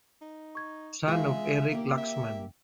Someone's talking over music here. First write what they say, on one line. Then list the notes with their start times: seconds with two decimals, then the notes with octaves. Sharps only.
Son of Erik Laxman.
0.21 D#4
0.55 C#6 G#6
1.08 G#3 F4 G#4 E5 F5
1.72 A#3 G4
1.97 E5